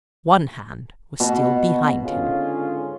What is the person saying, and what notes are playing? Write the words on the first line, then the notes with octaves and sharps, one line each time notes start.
One hand was still behind him.
B2
C#2 G#2 D3 C#4 F4 G#4